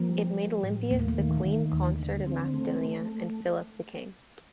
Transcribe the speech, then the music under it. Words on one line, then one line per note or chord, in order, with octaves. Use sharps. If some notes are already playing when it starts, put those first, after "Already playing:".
It made Olympias the queen consort of Macedonia, and Philip the king.
Already playing: F3 A#3
G3
G3
A2
D#2 A#3
A3
A#3
D#3
D#3
D#2
D3
C4
A3
A3